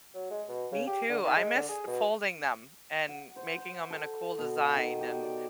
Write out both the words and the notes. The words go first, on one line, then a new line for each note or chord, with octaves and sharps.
me too. I miss folding them and making 'em in a cool design and
F#3
G#3
B2
C#3
G4
D3
D#3
G#3
D3
G#4
B2
F#5
C5
C5
A4
B2
D#3
G4
D5